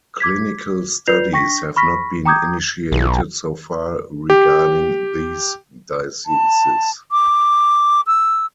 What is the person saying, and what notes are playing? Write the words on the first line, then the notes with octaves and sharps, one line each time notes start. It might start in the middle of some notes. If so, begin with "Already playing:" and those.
Clinical studies have not been initiated so far regarding these diseases.
D6 G#6 B6
F4 B4 D5 G6 C7 F7
D4 G5 C#6 A#6 B6
B5 C#6 F6 A#6 B6
G5 A#5 D6 D#6 G6 G#6
B1
G4
A5
D6
E6